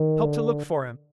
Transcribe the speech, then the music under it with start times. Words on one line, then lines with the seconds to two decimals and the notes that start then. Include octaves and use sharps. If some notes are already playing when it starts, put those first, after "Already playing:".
Help to look for him!
Already playing: D#3
0.25 D3